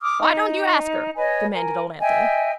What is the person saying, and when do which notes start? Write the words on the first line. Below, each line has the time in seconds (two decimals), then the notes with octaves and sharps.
"Why don't you ask her?" demanded old Anthony.
0.01 D6 D#6 F6
0.22 D#4
1.17 B4 C#5 D#5 G#5
1.53 A#4 G#5
2.00 D#5 E5 G5 G#5